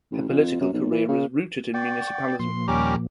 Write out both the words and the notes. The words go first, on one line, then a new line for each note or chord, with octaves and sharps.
Her political career is rooted in municipalism.
A1
F2
F#2
B1
E3
C#3
D5 F#5 G5 C#6
A#2 F3 A#3 C6
D#2 G3 C#4 G4 A#4 D6